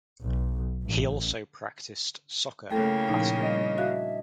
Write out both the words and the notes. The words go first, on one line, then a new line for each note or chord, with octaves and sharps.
He also practiced soccer and basketball.
B1
A1
C#3 A3 A#3 E4 A4 G5
A#2 F3 D#4
G3 D4 D#5
F#4 E5 F5 A5 F#6 G#6 B6